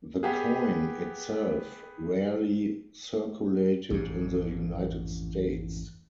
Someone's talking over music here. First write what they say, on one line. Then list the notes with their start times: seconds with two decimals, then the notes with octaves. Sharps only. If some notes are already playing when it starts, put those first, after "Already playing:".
The coin itself rarely circulated in the United States.
0.23 B3 G4 G#4
3.90 A1 F2 G#2